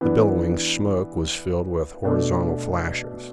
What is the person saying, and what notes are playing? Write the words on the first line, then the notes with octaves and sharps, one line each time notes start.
The billowing smoke was filled with horizontal flashes.
E3 B3 D4
B2 A3 D4